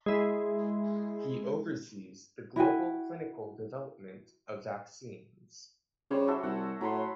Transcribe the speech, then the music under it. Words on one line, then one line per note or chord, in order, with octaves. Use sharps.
He oversees the global clinical development of vaccines.
G#3 E4
E4 F#4 G5 G#5
C#3 G3 C5 C#5
F#4 A4 E5
C2 F#5
A2 F#3 B5 C6